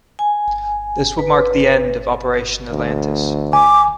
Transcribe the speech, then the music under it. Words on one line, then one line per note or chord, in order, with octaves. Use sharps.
This would mark the end of Operation Atlantis.
G#5
B4
D2
G#5 D6